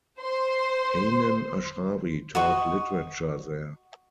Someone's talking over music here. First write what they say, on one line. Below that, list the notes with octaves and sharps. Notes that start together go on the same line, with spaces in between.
Hanan Ashrawi taught literature there.
C5 C6
F#4 D#5 C#6